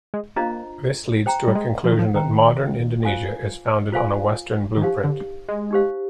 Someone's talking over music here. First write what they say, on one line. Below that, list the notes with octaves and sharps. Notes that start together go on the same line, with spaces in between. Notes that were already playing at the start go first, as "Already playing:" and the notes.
This leads to a conclusion that 'Modern Indonesia' is founded on a Western blueprint.
G#3
A#3 D4 F4 C5 D#5 A#5
C5 G5 A#5
G3
G#3
F3
D#3
F3
D#3 C5 G5 A#5
F4 C5 F5 G#5 C6
F4 C5 F5 G#5 C6
D#3
F3 D#4 G4 C5 F5
D3
G#3
D#4 G4 C5 F5